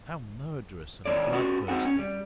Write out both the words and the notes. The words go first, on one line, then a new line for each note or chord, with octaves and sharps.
"How murderous and bloodthirsty!"
A2 D#3 A#3 C#5 D5
C#4 F#4 G4
C4 D#4 F#4 F#5
C#4
G3